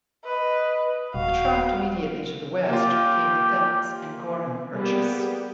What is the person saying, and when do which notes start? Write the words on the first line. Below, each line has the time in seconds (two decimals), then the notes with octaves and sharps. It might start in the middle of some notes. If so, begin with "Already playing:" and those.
The tract immediately to the west became the Phelps and Gorham Purchase.
0.25 B4 D#5
1.14 D#1 F#4 F5
2.69 A#3 F4 G4
4.72 G3 A#3 B3 G4 G#4